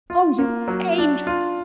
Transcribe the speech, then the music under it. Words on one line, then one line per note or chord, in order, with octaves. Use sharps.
Oh, you angel!
F4
A#3
F#3
D4
F4